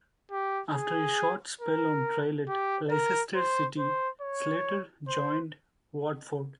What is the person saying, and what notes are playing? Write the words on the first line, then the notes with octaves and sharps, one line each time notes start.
After a short spell on trial at Leicester City, Slater joined Watford.
G4
G#4
A#4
G4
A#4
C5
C5
C#5
C5